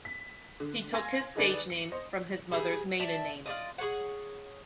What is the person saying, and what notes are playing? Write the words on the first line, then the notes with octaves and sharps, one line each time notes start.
He took his stage name from his mother's maiden name.
B6
D3
F5 G#5 C6 G#6 A#6
D3 D#4 G#4 A4 B4 D5
C#7
C5 D#5
G3 G#4
D5 E5 A5
F4 G#4 D5 D#5
G#4 A4 C#5 F#5